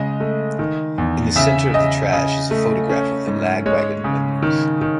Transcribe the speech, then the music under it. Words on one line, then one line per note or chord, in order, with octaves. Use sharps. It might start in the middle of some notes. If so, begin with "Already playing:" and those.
In the center of the trash is a photograph of the Lagwagon members.
Already playing: C#3 G#3 D#5
A3
D#3
E2
C#3 E5
C#3 D#5
C#3
A3
C#4
G#2
G#3 C#5
C#3
D#3
D#3